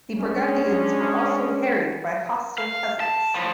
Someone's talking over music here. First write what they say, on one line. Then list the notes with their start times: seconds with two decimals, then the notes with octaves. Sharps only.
The Burgundians were also harried by hostile peasants.
0.18 G#3 C#4 D4
2.58 F5
3.00 A5
3.34 A2 F3